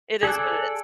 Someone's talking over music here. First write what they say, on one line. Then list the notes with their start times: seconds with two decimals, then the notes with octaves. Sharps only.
It is what it is.
0.23 G#4 A4 D5 F#6